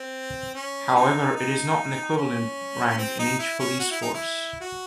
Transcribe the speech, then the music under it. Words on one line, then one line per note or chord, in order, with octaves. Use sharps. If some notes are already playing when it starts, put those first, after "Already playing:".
However, it is not an equivalent rank in each police force.
Already playing: C4
C#4
D#4
D#4
C#4
C4
D#4
E4
C#4
F#4
E4
D#4
E4
F#4